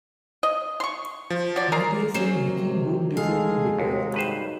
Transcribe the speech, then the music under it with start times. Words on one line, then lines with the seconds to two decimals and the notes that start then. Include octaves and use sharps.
Matthius and Vickie both deserved better.
0.43 D#5
0.80 C6 C#6
1.30 F3
1.56 F#3 D5
1.72 G#3 A#4 A#5 C7
2.14 F#3 A#3 C#4 D#4 C5
2.55 C3
3.17 D2 G#3 G#4 A4 F5
3.78 D#2 C3 F#3 G#3
4.14 G2 D#3 B4 C5